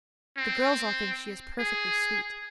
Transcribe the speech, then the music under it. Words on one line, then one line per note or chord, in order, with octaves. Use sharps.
The girls all think she is perfectly sweet.
C4
G#4